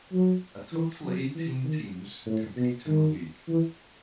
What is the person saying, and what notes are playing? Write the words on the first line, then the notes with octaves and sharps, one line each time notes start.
A total eighteen teams compete in the league.
F#3
E3
F#3
E3
D#3
A2
B2
D#3
E3